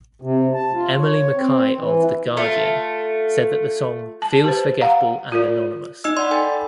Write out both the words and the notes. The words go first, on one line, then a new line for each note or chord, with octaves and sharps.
Emily Mackay of "The Guardian" said that the song "feels forgettable and anonymous".
C3
A5
F4
C#5
C4
E3
A3 F4
A5
G4 B4 C5
F5 F#5 A#5
F4 A#4 D5
D#4 D#5 E6
D5 F#5 B5 C6
A4 G5 G#5 A6